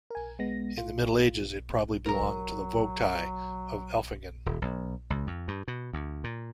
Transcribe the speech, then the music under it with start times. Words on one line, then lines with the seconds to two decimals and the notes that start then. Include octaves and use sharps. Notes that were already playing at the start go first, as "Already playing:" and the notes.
In the Middle Ages it probably belonged to the vogtei of Elfingen.
0.10 A#4 G#5
0.39 G#3 B3 A#6
0.78 F4
2.06 F#3 A#4 A#5
4.46 D#1
4.62 B1
5.10 C#2
5.27 F2
5.48 G2
5.68 B2
5.93 D2
6.24 A#2